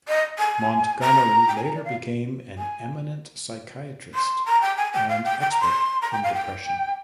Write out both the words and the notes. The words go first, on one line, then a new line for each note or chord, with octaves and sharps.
Montgomery later became an eminent psychiatrist and expert in depression.
D#5
G#5
A#5
G5
G#5
A#5
D5
F5
G#5
C6
A#5
G5
G#5
G5
F5
G5
G5
A#5
C6
A#5
G5
F5
G5